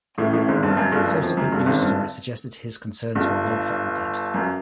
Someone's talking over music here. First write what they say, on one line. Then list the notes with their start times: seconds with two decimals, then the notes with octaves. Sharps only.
Subsequent news stories suggested his concerns were well-founded.
0.18 A1 A2
0.33 A1 A2
0.48 G#1 G#2
0.63 G1 G2
0.77 F#2
0.92 G1 G2
1.07 F#2
1.22 F2
1.37 F#2
1.52 G1 G2
1.66 G#1 G#2
1.81 G1 G2
3.15 G1 G2
4.34 F#2